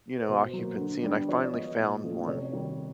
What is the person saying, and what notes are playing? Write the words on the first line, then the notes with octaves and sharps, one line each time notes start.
you know, occupancy, and I finally found one.
B4
B2 C5
F#3 A#3
D3
G3 B3 D4
F3 C#5
D5
G#3 B3 D#5
A#2
F3 A3 C#4
C3 C#5
D#3 G3